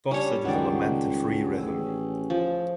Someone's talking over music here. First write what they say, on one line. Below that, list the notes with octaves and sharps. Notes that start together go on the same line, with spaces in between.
Bocet is a lament in free rhythm.
G3 C#4 D4 C#5
C#2 D#3 D5 F#5 G5
A1 G#4 E6
F3